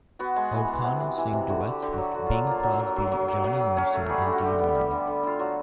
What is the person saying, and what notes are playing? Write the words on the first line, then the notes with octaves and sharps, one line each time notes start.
O'Connell sang duets with Bing Crosby, Johnny Mercer, and Dean Martin.
B3 F#4
G#3
E3
B3
C3
C3
E3
C3
D3 F#4
D3 G4
D3 G4
F#4
F#3
D3 F#4
F#3 F4
A#3 F4
F#3
F#3
F#3
F#3
F#3
F#3
F#3
C#4
A3
G3 G#4
D3 G4
F#4
D3 G4
B3
G3
D3
D3
D3 F4
F#3 F#4